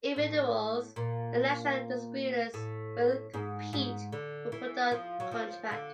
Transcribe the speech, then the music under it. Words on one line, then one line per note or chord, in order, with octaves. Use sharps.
Individuals and national distributors will compete for product contract.
A2
A#2
A2
G#2
G#2
D3
E3
F3
F#3
F3
D3